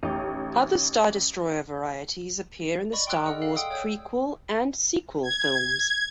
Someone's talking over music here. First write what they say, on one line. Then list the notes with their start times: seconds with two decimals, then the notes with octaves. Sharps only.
Other Star Destroyer varieties appear in the "Star Wars" prequel and sequel films.
0.03 A1 D#4 G4
2.92 D5 D#5 B5 C#6
3.07 G5 C6 D6 E6 F#6 D7
3.24 G#4 D5 D#5 F#5 F6
3.42 A4 D#5 F5 C7
3.56 F#5 G5 C6 D#6 E6
3.70 C#5 G5 D#6 E6 G6 G#6
5.22 G#6